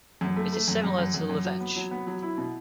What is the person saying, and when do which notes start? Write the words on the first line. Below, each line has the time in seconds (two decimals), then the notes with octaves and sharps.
It is similar to the Leveche.
0.21 F#2
0.36 A3
0.52 A3
0.68 F#2
0.83 F#2
0.98 F#2
1.14 F#2
1.29 F#2
1.45 F#3
1.60 B3
1.76 F#3
1.91 B3
2.07 F#3
2.22 E4
2.38 B2